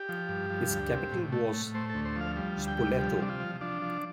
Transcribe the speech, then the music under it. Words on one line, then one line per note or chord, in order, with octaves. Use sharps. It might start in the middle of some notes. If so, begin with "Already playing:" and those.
Its capital was Spoleto.
Already playing: G4
F3
G2
F3
D2
C3
A2
A3
A2
A3 C5
D2 A4
C5
F3 F5
G3
D2
G5
G3
F3 G4
C3 D4
F4
F3
F3 D4
F3